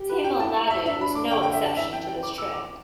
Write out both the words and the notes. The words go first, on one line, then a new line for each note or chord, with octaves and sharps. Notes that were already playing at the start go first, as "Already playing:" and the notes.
Tamil Nadu was no exception to this trend.
Already playing: G4
B4
G5
E4 A5
E5
D4 E5
B5
D6
D3 G5
G5
E5
A5
E3 E5
G5
G5
E3 D6
E6
D6